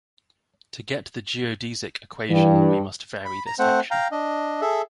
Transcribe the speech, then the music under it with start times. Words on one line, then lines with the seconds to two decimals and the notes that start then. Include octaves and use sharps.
To get the geodesic equation we must vary this action.
2.30 G2 E3
3.25 B5
3.46 A#5
3.59 A3 C4 C5 F#5
3.91 F5 G5 A#5
4.11 D4 D#5
4.61 G#4 A4 E5